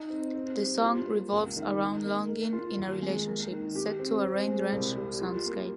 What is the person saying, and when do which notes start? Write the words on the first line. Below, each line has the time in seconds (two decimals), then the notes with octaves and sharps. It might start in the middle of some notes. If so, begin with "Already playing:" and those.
The song revolves around longing in a relationship, set to a rain-drenched soundscape.
Already playing: D#4
0.10 C4
0.34 C4
0.58 G3
0.82 F4
1.07 A#3
1.32 C#2
1.56 D#3
1.80 D#4
2.04 A#3
2.28 A#4
2.53 F4
2.77 D#2
3.02 G#3
3.27 A#3
3.51 D#3
3.75 G4
3.99 C4
4.23 C4
4.48 G#3
4.72 C2
4.97 G3
5.21 F4
5.46 A#3